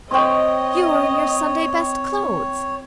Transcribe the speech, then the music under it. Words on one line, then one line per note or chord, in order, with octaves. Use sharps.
You are in your Sunday-best clothes!'
C4 C#5 D#5 G5 C6 C#6